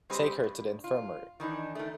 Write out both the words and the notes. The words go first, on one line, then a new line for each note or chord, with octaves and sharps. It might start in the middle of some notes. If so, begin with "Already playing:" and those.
Take her to the infirmary.
G3 G#3 C4 G4 B4 C5
G2
F4
D#3 E3 D4 D#4
D#3 A3